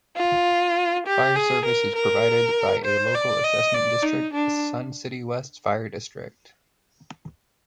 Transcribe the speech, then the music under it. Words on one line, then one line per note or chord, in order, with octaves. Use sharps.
Fire service is provided by a local assessment district, Sun City West Fire District.
F4
G4
G#4
A#4
A#4
C5
D5
D#5
D5
D#4
D4